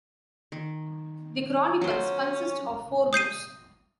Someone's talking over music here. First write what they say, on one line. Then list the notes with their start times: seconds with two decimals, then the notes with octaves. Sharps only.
The chronicles consist of four books.
0.52 D#3
1.81 F#3 C#4 C5
3.13 D#6 G6 C7 D#7